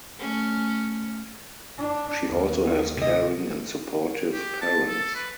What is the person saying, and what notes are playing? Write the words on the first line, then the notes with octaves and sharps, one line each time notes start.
She also has caring and supportive parents.
A3 C#4
D4
D#2
C3 D#5
G4
A5
A4
B4